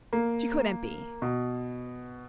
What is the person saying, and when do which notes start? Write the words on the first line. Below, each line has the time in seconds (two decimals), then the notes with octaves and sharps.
She couldn't be.
0.13 A#3
1.22 B2